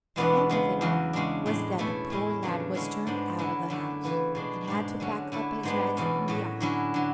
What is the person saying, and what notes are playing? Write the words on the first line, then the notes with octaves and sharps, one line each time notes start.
The end of it all was that the poor lad was turned out of the house, and had to pack up his rags and be off.
E2 B2 G#3 B3 D4
C#3 G#3 B3
E2 C#3 F#3
C#3 G#3 D4
A2 G#3 D4
B2 A3 C#4 E4
A2 G#3 C#4 E4
C#3 E3 A3 D4
D3 G#3 C#4 E4
G#2 G#3 B3 D4
D3 F#3 C#4 E4
F#2 D3 A3 E4
C#3 E3 B3 E4
B2 G#3 D4
G#2 G#3 D4
D3 F#3 C#4
D3 A3 E4
G#2 G#3 B3 D4
E2 B2 A3 C#4
A2 F#3 A3
D3 F#3 C#4 E4
D3 F#3